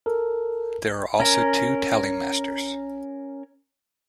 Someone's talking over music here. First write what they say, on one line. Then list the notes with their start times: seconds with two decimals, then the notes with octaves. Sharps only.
There are also two tally masters.
0.06 A4 A#4
1.20 C#4 A#4